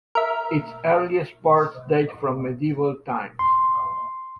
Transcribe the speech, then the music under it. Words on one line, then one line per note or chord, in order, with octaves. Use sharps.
Its earliest parts date from medieval times.
A#4 E5
C6